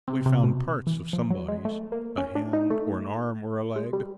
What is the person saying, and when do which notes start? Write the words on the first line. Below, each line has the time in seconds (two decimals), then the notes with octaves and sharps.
We found parts of some bodies--a hand, or an arm or a leg.
0.08 C3
0.26 C3
0.43 B2
0.87 E3
1.13 F3
1.30 F#3
1.48 G#3
1.65 A3
1.92 A#3
2.18 C#4
2.35 D4
2.53 D#4
2.70 A3
3.76 G#3
3.93 G3